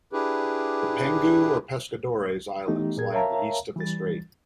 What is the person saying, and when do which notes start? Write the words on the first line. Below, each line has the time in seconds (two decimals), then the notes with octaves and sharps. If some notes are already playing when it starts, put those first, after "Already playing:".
The Penghu or Pescadores Islands lie in the east of the strait.
0.13 D4 E4 G4 G#4 B4
2.68 E3 A3 B3 D#4 G4
2.97 A#2 G#4 A#4 G#6
3.13 A#4 C#5 E5 F5 A5 A#5
3.76 E3 G3 A6